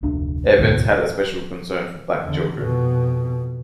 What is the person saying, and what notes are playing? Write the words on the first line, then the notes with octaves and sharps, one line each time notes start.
Evans had a special concern for black children.
F1 D2 D3 D4
E1 D2 G#2 B2
E2 D3
F2 B2